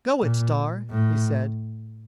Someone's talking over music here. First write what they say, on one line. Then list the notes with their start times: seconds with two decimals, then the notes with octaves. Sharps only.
"Go it, Star!" he said.
0.22 A#2
0.91 A2